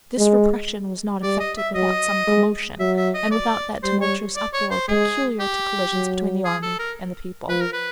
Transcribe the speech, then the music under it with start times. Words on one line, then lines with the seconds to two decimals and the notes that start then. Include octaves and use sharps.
This repression was not effected without some commotion, and without that tumultuous uproar peculiar to collisions between the army and the people.
0.18 G#3
1.23 G3 D5
1.40 D#5
1.57 E5
1.75 F#3 D#5
2.27 G#3
2.80 F#3 E5
2.97 E5
3.14 D#5
3.31 D5
3.84 G3 C5
4.01 C#5
4.36 D5
4.54 C#5
4.71 C5
4.88 G#3 G#4
5.40 G4
5.93 F#3
6.45 G#4
6.62 A4
6.79 A#4
7.49 F3 B4
7.61 A#4
7.73 B4